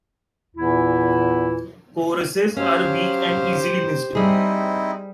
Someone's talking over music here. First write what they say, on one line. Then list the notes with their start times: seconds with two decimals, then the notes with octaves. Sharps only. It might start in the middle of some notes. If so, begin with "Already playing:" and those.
Choruses are weak and easily missed.
0.56 E2 A#2 E3 E4
2.57 F#3 C#4 G4 C5 F5
4.15 G3 C4 D#4 E4 G#4